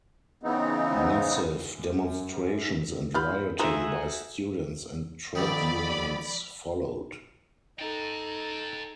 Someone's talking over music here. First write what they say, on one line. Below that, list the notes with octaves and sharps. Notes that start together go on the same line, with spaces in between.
Massive demonstrations and rioting by students and trade unions followed.
C#3 E3 B3 C4 D#4
F#2
B3 F4 B5 F6 G6
D#4 F4 F#4 G#4 A4 C5 E5 A#5
B1 F2 D#3 D5 B5
D#4 A4 G5 A5